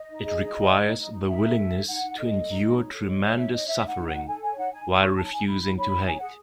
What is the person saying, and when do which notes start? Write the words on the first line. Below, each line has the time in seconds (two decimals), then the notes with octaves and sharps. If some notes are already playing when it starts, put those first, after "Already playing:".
It requires the willingness to endure tremendous suffering while refusing to hate.
Already playing: D#5
0.09 D#4
0.23 G#4
0.39 D#4
0.53 D#4
0.69 D#4
0.83 D#4
0.99 D#4
1.13 D#4
1.28 D#4 E5
1.43 A4
1.58 A4
1.73 D#4
1.88 D#4 F#5
2.03 D#4
2.18 A4 D#5
2.33 A4
2.48 D#4
2.63 D#4
2.78 C#5
2.93 A4
3.08 C#5 D#5
3.23 C#5 D#5
3.37 D#4 E5
3.53 C#5 D#5
3.67 D#4 E5
3.82 D#4 F#5
3.97 D#4
4.07 F#5
4.12 D#4
4.27 A4 G#5
4.42 C#5 G#5
4.57 D#4 F#5
4.72 D#4 G#5
4.87 D#4
5.02 C#5 C#6
5.17 D#4 A5
5.32 D#4 G#5
5.47 D#4 B5
5.62 D#4
5.77 C#5 B5
5.92 D#4
6.07 C#5 G#5
6.18 G#4 F#5